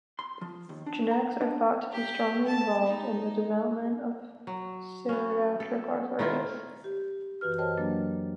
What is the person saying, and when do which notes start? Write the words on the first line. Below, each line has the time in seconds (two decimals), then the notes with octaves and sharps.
Genetics are thought to be strongly involved in the development of psoriatic arthritis.
0.19 C6
0.41 F3
0.69 D#2
0.86 D4
1.11 A#5
1.41 D4
1.92 G4
2.45 A5
2.86 D#4
4.47 F#3
5.09 B3 C#4
5.60 A4
6.19 D#3 A3 E4 F4
6.84 G4
7.41 F#2 E3 F#4 B4 F6
7.58 A#4 C5 C#5 D#5 G5 A5
7.78 F#3 A#3 D4